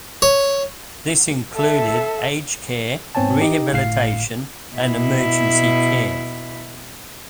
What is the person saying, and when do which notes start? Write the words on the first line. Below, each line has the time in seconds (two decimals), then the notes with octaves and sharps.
This included aged care rehabilitation and emergency care.
0.22 C#5
1.55 A4 E5
3.15 G#2 B3 C4 C#5 G#5 A5
3.41 D#4 G4 D#5
3.72 G1 A2 F5 C7
4.74 B2 E4